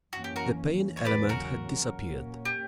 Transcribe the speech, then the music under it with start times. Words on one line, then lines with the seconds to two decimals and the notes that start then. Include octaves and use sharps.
The pain element had disappeared.
0.13 F#2 E3 A#3 C#4 F#4
0.24 G4
0.36 F#4 A#4
0.97 C#5
1.05 E2 C#3 F#3 A#3 C#4 B4 D5
1.29 F#4 A#4
1.99 A#2 A#3 C#4
2.45 G4